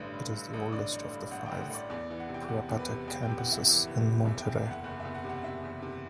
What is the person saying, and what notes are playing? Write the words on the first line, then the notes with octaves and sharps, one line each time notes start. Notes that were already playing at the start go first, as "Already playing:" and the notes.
It is the oldest of the five PrepaTec campuses in Monterrey.
Already playing: A1 G2 D3 B4
G2
G2
A1
D3 D5
A1
G2
A1 F#5
A1 G5
F#5
A1 D5
E2 D5
E3
F#5
C3
G5
C3 F#5
E2
B4
C3
E2 G5
C3 G5
F#5
E3 E5
E3
F#1
C3
E2 E5
E2 G5
E5
F#1 F#5
F#1 F#5
E5
E2
F#5
C3
F#5
C3 E5
E2
C3